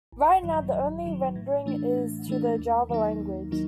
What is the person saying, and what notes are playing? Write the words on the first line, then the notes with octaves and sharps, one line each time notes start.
Right now, the only rendering is to the Java language.
A1
G2 D#3 F#3
A1
G2 D#3 F#3
A2
E3 A3 D4
A2
E3 A3 D4
D#2
D#3 F#3 A#3 D#4
D#2
D#3 F#3 A#3 D#4